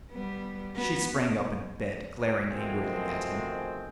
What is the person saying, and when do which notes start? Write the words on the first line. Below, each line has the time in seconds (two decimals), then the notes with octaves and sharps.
She sprang up in bed, glaring angrily at him.
0.12 G3 B3
0.76 B3 F#4
2.48 B2 D#3 F3 G#3 A3 C4